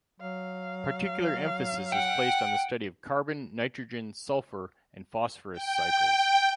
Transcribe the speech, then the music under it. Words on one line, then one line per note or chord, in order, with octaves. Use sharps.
Particular emphasis is placed on the study of carbon, nitrogen, sulfur, and phosphorus cycles.
F#3 F5
F#5 G5
G5